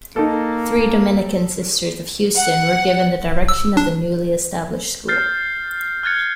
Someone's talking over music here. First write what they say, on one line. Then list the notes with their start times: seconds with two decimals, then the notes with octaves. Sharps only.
Three Dominican Sisters of Houston were given the direction of the newly established school.
0.16 A#3 D#4 A4
2.37 F#5
3.48 E6
3.77 D4
5.08 F6 G6 A6 C7
6.03 F6 F#6 G#6 A6 C#7